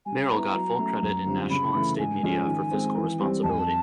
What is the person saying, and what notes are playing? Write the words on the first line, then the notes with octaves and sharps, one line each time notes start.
Merrill got full credit in national and state media for fiscal responsibility.
G3 G#5
B3 E4 A#5
F#3
A3 C#4
F#2
D3 G3 C4 F4
C#3 B5
E3 A3
G#2 G#5
F3 G#3 C#4
D#3
G#3 C4
E3
G3 C4
F2 A5
G#5
A5